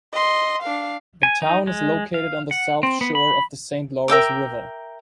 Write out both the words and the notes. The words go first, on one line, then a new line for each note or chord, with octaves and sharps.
The town is located on the south shore of the Saint Lawrence River.
D#5 C6
D4 F5
G#5
D#4
G#3
F5
F#5
C4
B3
B5
A#4 E5 G5 D6